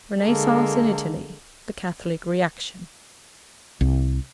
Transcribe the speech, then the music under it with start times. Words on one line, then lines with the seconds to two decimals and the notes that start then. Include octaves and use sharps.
Renaissance in Italy: The Catholic Reaction.
0.23 D3 G#3 A#3 A4
3.81 C2